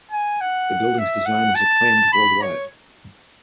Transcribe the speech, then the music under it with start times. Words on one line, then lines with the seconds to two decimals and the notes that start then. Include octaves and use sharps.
The building's design was acclaimed worldwide.
0.11 G#5
0.41 F#5
0.98 E5
1.26 F#5
1.55 A5
2.13 B5
2.42 C#5